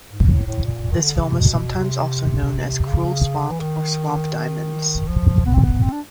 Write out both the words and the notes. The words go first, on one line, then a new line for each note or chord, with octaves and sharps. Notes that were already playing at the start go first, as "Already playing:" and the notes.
This film is sometimes also known as Cruel Swamp or Swamp Diamonds.
G#2
A2
A2
A#2
D#3
D3
C#3
C3
B2
C3
C#3
E3
D#3
F3
B3
C4
B3
C4
D4